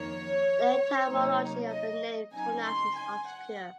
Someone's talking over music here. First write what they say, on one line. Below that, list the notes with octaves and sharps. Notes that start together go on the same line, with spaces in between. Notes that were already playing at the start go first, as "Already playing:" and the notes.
The etymology of the name Tunas is obscure.
Already playing: F2 D#3 A#3 C#5
C3 F#3 A#3 D#4
D#5
C#3 F#3 C4 D#4 G#5
C6
G#5
F#5